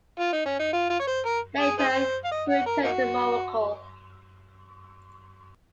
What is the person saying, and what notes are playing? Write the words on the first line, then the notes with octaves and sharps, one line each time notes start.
Later he returned to Morocco.
F4
D#4
C#4
D#4
F4
F4
C#5
C5
A#4
G#4
D#4 G#4 C5
F5
D#5
F#5
A#4
A#3 D#4 F#4